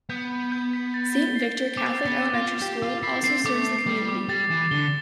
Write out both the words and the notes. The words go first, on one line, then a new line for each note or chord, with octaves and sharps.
Saint Victor Catholic elementary school also serves the community.
B3 G6
G6
G6
B6
A6
G7
C7
G7
C4 D6
A6
B3
E7
F4
G7
G4 G6
F4 E6
E4 C7
C4 C7
A3 D6
D6
G3 D6
D6
G3 A6
E3 E7
D3 G7